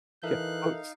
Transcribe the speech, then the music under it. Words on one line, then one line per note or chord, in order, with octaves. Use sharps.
Yeah, boats
E3 D#4 A4 A#4 E5 F5 F#6